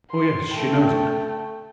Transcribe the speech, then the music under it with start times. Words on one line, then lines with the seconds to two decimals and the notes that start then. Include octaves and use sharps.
"Oh, yes, she knows it."
0.11 C6
0.55 A3 G5